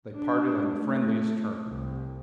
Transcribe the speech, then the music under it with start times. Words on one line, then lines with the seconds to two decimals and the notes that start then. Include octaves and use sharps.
They parted on the friendliest terms.
0.16 D4
0.73 A3
1.67 C2